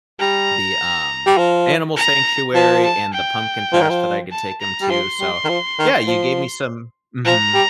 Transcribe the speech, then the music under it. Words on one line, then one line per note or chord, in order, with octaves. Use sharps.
the, um, animal sanctuary and the pumpkin patch that I could take him to. So, yeah, you gave me some mhm.
G3 A#5
G3
F3
A#5
F3 A5
A5
G5
F3
D#3
F3
A5
A#5
G3
F3 C6
G3
D#3
F3
D#3
F3
F3 A#5
G3